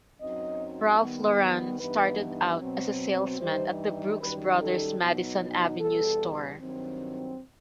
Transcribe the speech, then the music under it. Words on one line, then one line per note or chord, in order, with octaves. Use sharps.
Ralph Lauren started out as a salesman at the Brooks Brothers Madison Avenue store.
F#2 F#3 C4 D#4 D#5
D#3 G3 B3
G2 E3 B3 D#4 B4
B2 F#3 C4
G2 E3 G3 D#4 C5
F#2 D#3 G3 D#4 B4
A4
B2 F#3 B3 D#4
E2 B2 G3 A4
G2 D#3 F#3 C4